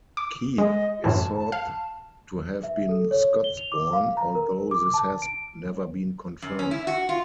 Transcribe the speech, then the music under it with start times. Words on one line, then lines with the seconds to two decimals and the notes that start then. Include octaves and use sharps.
Kethe is thought to have been Scots-born, although this has never been confirmed.
0.17 D6
0.58 G#3 D#5
1.04 F#2 A2 E3 A5
1.37 A5
1.52 F5
2.64 E5
2.89 A4
3.11 C#5
3.44 G7
3.57 F7
3.72 D6
3.93 F5
4.17 A#5
4.35 A#4
4.71 D6
4.94 A5
5.22 D7
6.42 F#2
6.59 C#4
6.71 E4
6.87 F#4
7.09 F4